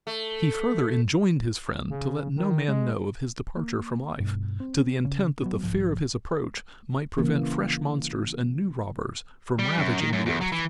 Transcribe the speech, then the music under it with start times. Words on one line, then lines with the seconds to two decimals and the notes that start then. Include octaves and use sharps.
He further enjoined his friend to let no man know of his departure from life, to the intent that the fear of his approach might prevent fresh monsters and new robbers from ravaging the earth.
0.07 A3
1.90 C#3
2.37 D#3
2.68 G#3
3.56 A#3
4.20 G2 B2
4.60 C4
5.05 C#3
5.43 F#3 B3
5.63 B1 G#2 F3
7.18 C#3 E3 A#3
9.59 G3
9.77 F#2
9.99 D#3
10.13 F#2
10.26 E2
10.41 F#3
10.52 E3